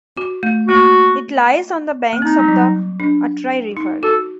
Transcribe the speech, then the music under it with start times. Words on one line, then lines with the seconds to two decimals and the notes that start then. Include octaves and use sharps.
It lies on the banks of the Atrai River.
0.17 F#4
0.43 A3
0.68 A#3 F#4
2.13 A#3
2.22 C4 D#4
2.39 G3
2.48 F#3
3.00 D4
3.77 D#4
4.03 F#4 A4